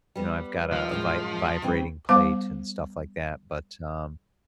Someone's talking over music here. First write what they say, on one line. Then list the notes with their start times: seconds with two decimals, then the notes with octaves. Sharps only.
you know, I've got a vi vibrating plate and stuff like that, but, um
0.16 G3 B3
0.73 F3
0.89 F#2 A2 G#3
1.62 C#3 G3 C4
2.09 G3 B3 C5 F5 D6